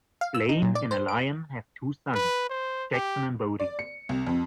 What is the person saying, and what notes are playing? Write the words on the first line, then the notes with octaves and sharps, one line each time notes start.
Blaine and Aliane have two sons, Jackson and Bodhi.
F5
E6
D#4
A#2
D5
C5
D7
B4
C5
G4
D5
C#7
C2
F2